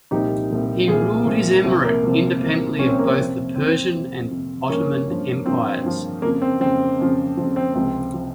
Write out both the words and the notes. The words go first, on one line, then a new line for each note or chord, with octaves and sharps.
He ruled his emirate independently of both the Persian and Ottoman Empires.
C2 A#2 F3 D#4 G4
C2 A#2 F3
C2 A#2 F3 F4 G#4
C2 A#2 F3
C2 C3 F3 C4
A#3
C2 C3 F3
C2 C3 F3
C2 C3 F3 C#4
C4
A#3
C4
F2 C3 F3
F2 C3 F3 C4
F2 C3 F3
F2 C3 F3
G2 F3 A#3 C#4
G2 F3
G2 F3 C4
G2 F3
F2 C#3 F3 A#3
C4
F2 C#3 F3 C4
F2 C#3 F3
F2 C#3 F3
C4
C#2 C3 F3 C4
C3 F3